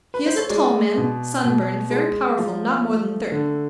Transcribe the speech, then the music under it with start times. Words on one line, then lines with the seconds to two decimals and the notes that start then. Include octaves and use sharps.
He is a tall man, sunburned, very powerful, not more than thirty.
0.14 B4
0.26 C5
0.38 C#5
0.50 G#3 D5
0.97 B2
1.44 B2
1.91 G#3
2.38 F3
2.85 A3
3.32 D3